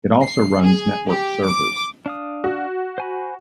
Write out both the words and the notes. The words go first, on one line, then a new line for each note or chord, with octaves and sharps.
It also runs network servers.
C7
G#4
G4
D6
D4 F5 D#6
F#4
C5 G#5 B5